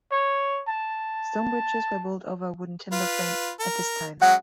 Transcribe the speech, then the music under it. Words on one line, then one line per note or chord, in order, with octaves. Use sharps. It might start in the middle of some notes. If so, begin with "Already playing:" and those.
Stone bridges were built over a wooden timber frame at this time.
C#5
A5
F4 B4
A#4
F#3 G#3 C#4 F#5